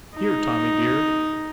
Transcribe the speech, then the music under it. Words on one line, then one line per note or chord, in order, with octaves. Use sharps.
Here, Tommy, dear.'
D#4